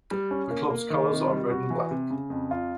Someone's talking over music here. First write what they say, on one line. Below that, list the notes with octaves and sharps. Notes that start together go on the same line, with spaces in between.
The club's colors are red and black.
G3
C#4
A#3
A#3
D#3
C3
G3
F#4
E3
C3
C#3
F2
F4